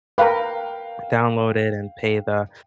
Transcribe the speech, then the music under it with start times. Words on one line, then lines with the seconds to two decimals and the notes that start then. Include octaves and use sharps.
download it and pay the
0.18 A#4 B4 F5 G5